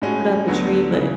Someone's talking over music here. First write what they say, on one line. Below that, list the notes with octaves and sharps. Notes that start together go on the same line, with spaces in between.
put up a tree, but
A2 G#3 C#4 F#4
D2 D3 F#3 B3 F#4
C#3 E3